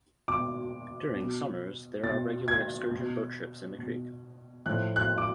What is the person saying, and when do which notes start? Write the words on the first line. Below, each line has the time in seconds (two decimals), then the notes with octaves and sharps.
During summers there are regular excursion boat trips in the creek.
0.28 B2 D6
1.16 B2
2.03 B2 A6
2.48 G#6
2.91 B2
3.78 B2
4.66 A2 F3 F#6
4.96 F#6
5.18 D6